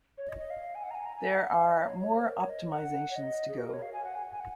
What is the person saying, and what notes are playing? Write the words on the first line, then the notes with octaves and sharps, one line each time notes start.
There are more optimizations to go.
C#5
D#5
D#5
F5
G#5
F#5
A#5
G#5
A#5
G#5
F#5
F5
D#5
D#5
C#5
C#5
C5
A#4
C#5
D#5
F#5
C#5
D#5
G#4
F#4
A#4
C#5
F5
G#5
F#5
G#5
G#5
F#5